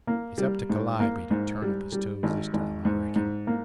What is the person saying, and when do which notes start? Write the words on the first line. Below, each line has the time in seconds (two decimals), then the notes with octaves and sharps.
It's up to Calliope to turn up his toes this time, I reckon.
0.07 A#3
0.38 G3
0.70 G#2
1.00 A#3
1.31 G#2
1.62 G3
1.92 G3
2.23 G#1
2.54 G#1
2.85 G#2
3.16 G#2
3.47 A#3